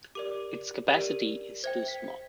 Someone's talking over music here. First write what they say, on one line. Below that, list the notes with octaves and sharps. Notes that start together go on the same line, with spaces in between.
Its capacity is too small.
G4 A#4 D5 D6
G4 A#4 D5
C5 E5 G5 G#6
B6